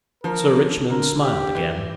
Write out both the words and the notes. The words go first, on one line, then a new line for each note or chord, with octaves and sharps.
Sir Richmond smiled again.
F3 A#4
D3 A#4
G4
E3